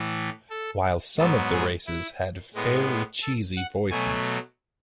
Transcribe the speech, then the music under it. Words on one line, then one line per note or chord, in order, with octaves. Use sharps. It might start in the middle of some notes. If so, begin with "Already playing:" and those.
While some of the races had fairly cheesy voices.
Already playing: A2 E3 A3
A4
G#2 F#3 B3 A4
G#4
E4
A2 G#3 B3
A4
F#5
B2 F#3 A3 G#5